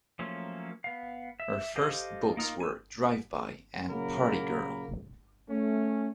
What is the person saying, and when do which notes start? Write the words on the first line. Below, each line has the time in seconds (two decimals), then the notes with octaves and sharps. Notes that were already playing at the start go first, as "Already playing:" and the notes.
Her first books were "Drive-By" and "Party Girl".
0.19 F3 F#3 A3 A#3 C#4
0.84 B3 F5
1.40 E5
1.76 G4 A4 C5 D#5 F5
2.37 A#3 D#4 F4 A#4
2.60 G#5 E6
3.90 A#2 C#3 F#3 A#3 A#4 B5
5.50 A3 C#4